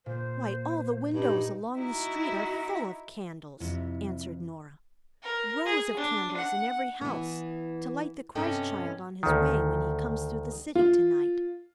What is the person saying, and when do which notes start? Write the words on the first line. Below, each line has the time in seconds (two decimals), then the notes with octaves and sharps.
"Why, all the windows along the street are full of candles," answered Norah; "rows of candles in every house, to light the Christ Child on his way when he comes through the city to-night."
0.06 A#2 C5
1.14 G2 D#4
1.78 D#4 E4 F#4
3.60 F2 C3 E4
5.23 A#4
5.66 G#4
5.97 D4
6.37 F#5
7.01 E3 B3
8.35 G2 C3 C#4 A4 D#5 G5
9.23 D2 D#3
10.75 F4